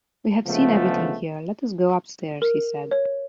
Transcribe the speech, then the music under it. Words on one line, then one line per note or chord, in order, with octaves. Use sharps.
"We have seen everything here; let us go upstairs," he said.
D2 C#3 F3 G#3 A3 B3
A#4
C#5